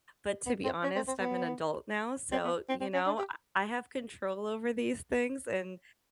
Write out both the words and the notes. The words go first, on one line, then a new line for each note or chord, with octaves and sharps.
but to be honest, I'm an adult now, so, you know, uh, I have control over these things and
B3
C4
C#4
C4
C4
B3
C4
B3
C4
C4
C#4
D4
G4